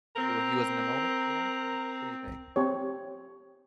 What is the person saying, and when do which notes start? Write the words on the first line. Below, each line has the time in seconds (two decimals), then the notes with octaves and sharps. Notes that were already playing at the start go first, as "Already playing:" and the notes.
Maybe Well he was in the moment, you know? But, what do you think?
0.16 C4 A#4
2.56 C4 G4 C#5